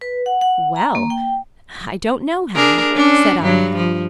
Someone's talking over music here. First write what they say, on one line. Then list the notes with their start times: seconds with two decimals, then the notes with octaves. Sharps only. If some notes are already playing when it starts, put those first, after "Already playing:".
"Well--I don't know how," said I.
0.01 B4
0.26 F#5
0.41 F#5
0.76 A#5
0.95 A#3
1.10 G5
2.56 D4 G#4 A#4
2.94 C#4 D4
3.42 G2 F#3
3.76 F3